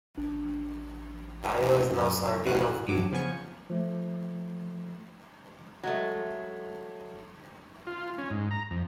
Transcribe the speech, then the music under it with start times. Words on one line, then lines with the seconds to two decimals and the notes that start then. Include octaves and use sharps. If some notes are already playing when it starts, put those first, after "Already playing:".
I was now certain of it.
0.18 A1 D4
1.91 F#2
2.47 A2 F#4 F5 F#6
2.88 G2 F#3 D6
3.11 C#3 F3 B3 G#5 C#6
3.70 F3 A3
5.83 F#3 G#3 A3
7.87 F4
8.18 C#4
8.30 G#2
8.51 A#5
8.71 F2